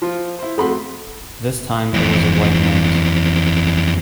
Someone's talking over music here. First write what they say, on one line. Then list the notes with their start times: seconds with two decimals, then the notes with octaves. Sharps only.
This time it was a White Knight.
0.02 F3 F4 C6
0.39 E4 C5
0.58 F2 A3 F#4 A4 B5 C6
1.94 F2 E3